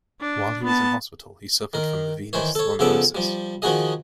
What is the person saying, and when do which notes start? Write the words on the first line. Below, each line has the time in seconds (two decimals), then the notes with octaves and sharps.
While he was in hospital, he suffered from a venous thrombosis.
0.21 D4
0.63 B3 A5
1.74 D#3 A#4
2.33 D#3 E3 C5 C#5
2.55 A4 C#5
2.79 C#3 F3 B3 A4 E5 D6
3.15 F3 G3
3.62 D#3 F3 D#4 F#4 G#4 D#5